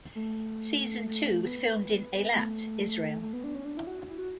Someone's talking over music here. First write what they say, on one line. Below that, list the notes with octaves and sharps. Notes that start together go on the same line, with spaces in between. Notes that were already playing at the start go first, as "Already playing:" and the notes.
Season two was filmed in Eilat, Israel.
A3
B3
A3
A3
B3
D4
C#4
D4
E4
F#4
E4
F#4